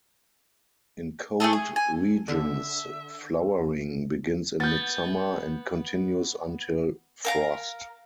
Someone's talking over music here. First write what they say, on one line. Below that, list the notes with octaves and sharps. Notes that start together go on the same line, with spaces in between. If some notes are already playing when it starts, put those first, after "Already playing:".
In cold regions, flowering begins in mid summer and continues until frost.
A3 B3 G#4 A4
G#4
G#5
D3 E5
B3 G6 A6
A#4 F5 A#5